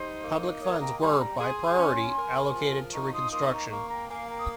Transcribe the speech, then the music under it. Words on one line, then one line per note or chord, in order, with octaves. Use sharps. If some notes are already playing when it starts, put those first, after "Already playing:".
Public funds were, by priority, allocated to reconstruction.
Already playing: G3 D#4 C5
A#3
A#4 C#5 D#5
G5 A#5
G3 G#5 C6
G5 A#5
G#4 G#5 C6
C#4
A#4
F3
D#4 A#5 C#6
C6 D#6
A#3 C6 D#6
A#5 C#6
A#3 A#5 C#6
G5 A#5
A#3 F5 G#5
G5 A#5
D#6